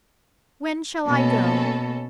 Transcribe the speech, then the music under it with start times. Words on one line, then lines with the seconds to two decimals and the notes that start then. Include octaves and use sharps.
When shall I go?
1.07 B2 A#3 C#4 A4